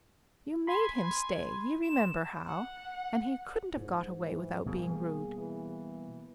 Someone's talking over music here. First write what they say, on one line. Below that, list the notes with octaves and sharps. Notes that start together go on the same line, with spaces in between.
"You made him stay--you remember how--and he couldn't have got away without being rude."
G#5 B5 C6
E7
F#5
G#2
E3
B2 G3 A#3 G#4
E3